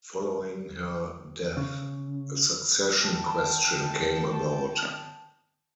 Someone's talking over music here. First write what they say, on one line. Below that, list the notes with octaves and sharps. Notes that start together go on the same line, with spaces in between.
Following her death, a succession question came about.
C#3
G5 A5